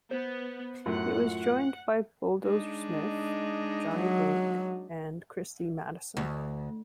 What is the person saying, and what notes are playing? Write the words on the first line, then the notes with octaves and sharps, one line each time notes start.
He was joined by Bulldozer Smith, Johnny Blake, and Christie Madison.
B3 C5
F#2 A2 F4 F#5
G#3 D4 D#4
F#3
D2